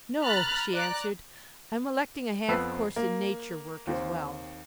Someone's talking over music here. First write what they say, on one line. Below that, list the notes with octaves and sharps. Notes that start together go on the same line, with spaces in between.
"No," she answered, "I'm electing a half-course in Nature Work as well."
A#5 B5 F6 F#6 A6
D5 A#5 F#6
F2 B3 C4 B4 E6 C7
A#3
D#2 D#3 C4